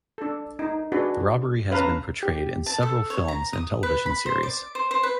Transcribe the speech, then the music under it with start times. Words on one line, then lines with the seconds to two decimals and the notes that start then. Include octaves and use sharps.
The robbery has been portrayed in several films and television series.
0.18 D4 A4
0.59 D#4
0.92 D4 F#4 G#4 B4
1.71 C#4 B4 F5 A5 A#5
2.23 G4
2.66 A5
2.83 A4
3.10 C#5
3.28 A#5
3.53 D#6
3.83 B4
4.06 B5
4.26 C5
4.43 D5
4.75 C5
4.91 C5
5.03 B4